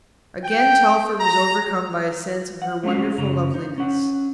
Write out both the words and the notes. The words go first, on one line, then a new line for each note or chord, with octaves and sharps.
Again Telford was overcome by a sense of her wonderful loveliness.
G5
A#5
F#5
G#3 A3 C4 C#4 F#4 F5
F#2 C#3 A#5
D#4
C#4 F#5